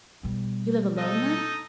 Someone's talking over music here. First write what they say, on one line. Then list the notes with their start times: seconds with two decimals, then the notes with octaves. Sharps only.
"You live alone, then?"
0.23 B2 G3
0.97 D#4 A4 D#5